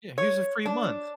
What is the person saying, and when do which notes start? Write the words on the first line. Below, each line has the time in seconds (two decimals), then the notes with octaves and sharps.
Yeah, "Here's a free month.
0.18 C#5
0.66 D4